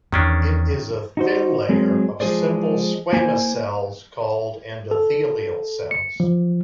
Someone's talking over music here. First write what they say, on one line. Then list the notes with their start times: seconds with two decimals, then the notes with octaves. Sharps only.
It is a thin layer of simple squamous cells called endothelial cells.
0.12 E2 D#3 C#4 D4
1.17 D#4 F#4 C5
1.69 F#3 G#3 C4 G#4
2.20 F3 G#3 F#4 G#4 C5 D5
3.13 A#3 E4 C5 G#5
4.91 A4
5.91 C#7
6.20 F3